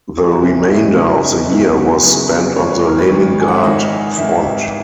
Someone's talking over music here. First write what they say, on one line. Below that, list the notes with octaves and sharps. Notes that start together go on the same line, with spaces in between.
The remainder of the year was spent on the Leningrad front.
G#4
F#4
F#1 F#2 E3 B3 E4
D#4
E4
F#1 F#2 E3 B3 F#4
D#4
F#1 F#2 E3 B3 E4
F#4
F#1 F#2 E3 B3 G#4
G#4
G#1 G#2 D#3 C#5
B4
A#4
B4
G#1 G#2 D#3
G#5
F#5
E5
G#1 G#2 D#3 D#5
E5
G#1 G#2 D#3 E5